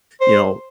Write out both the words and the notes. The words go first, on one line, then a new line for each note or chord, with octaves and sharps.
you know,
C5